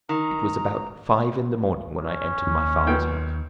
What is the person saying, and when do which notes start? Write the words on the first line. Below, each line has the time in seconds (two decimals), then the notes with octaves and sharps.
It was about five in the morning when I entered my father's house.
0.09 D#3 A#5
2.01 C#4
2.47 D#2 D#3
2.87 B1 A#2 G5